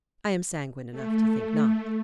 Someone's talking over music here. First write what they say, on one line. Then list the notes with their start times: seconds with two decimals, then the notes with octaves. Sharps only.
I am sanguine enough to think not.
0.91 A3